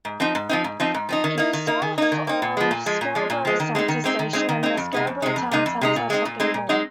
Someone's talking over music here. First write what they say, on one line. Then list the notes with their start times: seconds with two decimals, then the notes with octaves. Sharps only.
It is south of Scarborough Centre station and the Scarborough Town Centre shopping mall.
0.05 G#2
0.20 F3 C4 D#4
0.35 G#2
0.49 F3 C4 D#4
0.64 G#2
0.80 F3 C4 D#4
0.94 G#2
1.09 F3 C4 D#4
1.24 D#3
1.38 A#3 D#4
1.53 D#3
1.67 A#3 D#4
1.82 D#3
1.98 A#3 D#4
2.12 D#3
2.27 A#3 D#4
2.42 A#2
2.57 F3 G#3
2.71 A#2
2.86 F3 G#3
3.01 A#2
3.15 F3 G#3
3.30 A#2
3.45 F3 G#3
3.60 D#3
3.75 G#3 C4 D#4
3.88 D#3
4.04 G#3 C4 D#4
4.19 D#3
4.33 G#3 C4 D#4
4.49 D#3
4.63 G#3 C4 D#4
4.77 F2
4.93 C3 G#3 D#4
5.07 F2
5.22 C3 G#3 D#4
5.36 F2
5.51 C3 G#3 D#4
5.66 F2
5.81 C3 G#3 D#4
5.96 A#2
6.10 G#3 C4 D#4
6.25 A#2
6.40 G#3 C4 D#4
6.54 A#2
6.69 G#3 C4 D#4